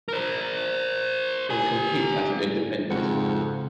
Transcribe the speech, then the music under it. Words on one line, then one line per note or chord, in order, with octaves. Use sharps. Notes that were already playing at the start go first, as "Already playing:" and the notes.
They compete as an independent.
A#4 C5
G4 G#5
F2 G#2 C#3 F#4 F#5